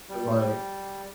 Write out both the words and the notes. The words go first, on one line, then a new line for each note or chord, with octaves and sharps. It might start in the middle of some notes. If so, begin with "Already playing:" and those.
'cause like
G3